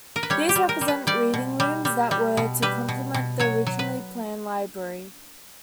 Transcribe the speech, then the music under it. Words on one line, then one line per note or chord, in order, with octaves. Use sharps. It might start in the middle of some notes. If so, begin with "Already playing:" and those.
These represent reading rooms that were to complement the originally planned library.
A#4
B4
G3 C#5
G4
G3
A#4
G3
B4
G3 D5
B2
G3
G3
G3
B2
G3 B4
B2
B2
F#3 C#5
F#3
B4